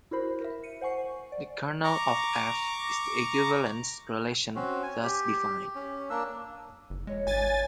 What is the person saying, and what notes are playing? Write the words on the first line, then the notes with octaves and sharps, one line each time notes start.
The kernel of "f" is the equivalence relation thus defined.
E4 F#4 A#4 C5 B5
A#4 E5
C#7 D#7
C5 F#5 G#5 C#6 C7
D5
A#5 C#6 D6
C4 C#4 F#4
G#5
G4
C#4
A#3 D4 E6
D#6
F#1
E2 G#3 C#5 D#5
G#1 D4 B4 G#5 A6